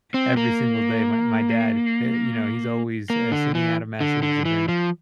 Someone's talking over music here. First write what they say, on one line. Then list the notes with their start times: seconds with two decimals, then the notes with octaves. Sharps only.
every single day. My my dad eh, you know, he's always, eh, sending out a message and then,
0.14 C4
0.37 A#3
3.10 A#3
3.32 D3
3.55 E3
4.01 D3
4.23 D3
4.45 E3
4.68 F3